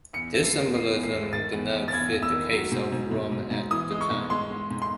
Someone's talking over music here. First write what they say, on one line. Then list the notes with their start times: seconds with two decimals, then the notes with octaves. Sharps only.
This symbolism did not fit the case of Rome at the time.
0.13 E2 C#7
0.34 A3
0.44 C7
0.54 D#3
0.74 D#3 C7
0.94 E2
1.04 C7
1.13 A3
1.32 D#3 A6
1.53 E2
1.73 E2
1.88 A6
1.92 E2 G#6
2.12 E2
2.23 E6
2.32 D#3
2.52 F#3
2.72 G#2
2.92 G#2
3.11 G#2
3.32 G#2
3.51 G#2
3.71 E3 D#6
3.91 G#3
4.01 C#6
4.10 G#2
4.30 G#3 C6
4.50 G#3
4.71 G#2
4.82 C6